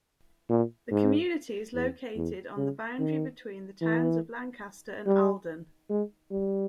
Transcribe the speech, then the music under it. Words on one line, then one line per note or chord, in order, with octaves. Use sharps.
The community is located on the boundary between the towns of Lancaster and Alden.
A#2
G#2
E2
E2
C#3
D#3
E3
G3
G#3
G3